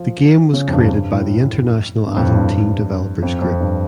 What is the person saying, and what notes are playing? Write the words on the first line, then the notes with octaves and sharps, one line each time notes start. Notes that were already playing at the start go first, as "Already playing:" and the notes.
The game was created by the international Atom Team developers group.
Already playing: F3
C#3
F2
G2
G2
A2
G2
F2
A2
G2
F2
F2
G2